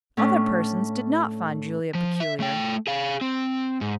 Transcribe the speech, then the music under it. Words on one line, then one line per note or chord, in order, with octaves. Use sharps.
Other persons did not find Julia peculiar.
A2 C#4 D4
F3
E5
A3 G5
G#4 F5
C4
G#2